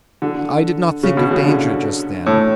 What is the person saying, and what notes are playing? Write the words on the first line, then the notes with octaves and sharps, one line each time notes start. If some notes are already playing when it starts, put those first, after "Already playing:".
'I did not think of danger just then.
D3
C#3
B2
C#3
D3
A2